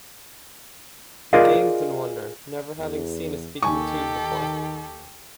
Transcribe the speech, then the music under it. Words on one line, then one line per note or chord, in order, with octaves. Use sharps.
He gazed in wonder, never having seen a speaking-tube before.
F4 G#4 A#4 D5 D#5 F5
E2
D#2 D#3 G4 A4 G#5 C#6